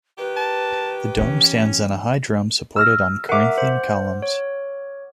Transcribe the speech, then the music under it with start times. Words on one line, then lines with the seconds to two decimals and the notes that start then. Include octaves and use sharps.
The dome stands on a high drum supported on Corinthian columns.
0.18 D#3 G4 B4
0.37 A5
1.17 E3 B3 C#4
2.76 E6 F6 A#6
3.29 A#4 E5 F#5 D6
3.58 C5
4.22 C#5